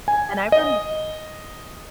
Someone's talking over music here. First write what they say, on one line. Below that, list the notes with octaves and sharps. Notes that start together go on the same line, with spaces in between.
And I remem
G#5
D#5